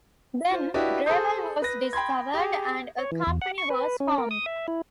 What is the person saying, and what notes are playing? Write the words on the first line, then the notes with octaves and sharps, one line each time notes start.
Then, gravel was discovered and a company was formed.
F4 C5
D4 E4 F#4 G4 B4 D#5
G#4 A4 C5 D#6 G6
B4 A#6
G5 B5 C6 G#6
G4 G#4
C#5
E3
E2
F#5
C#6
B4
C#4
A#4
D#6
E5
E4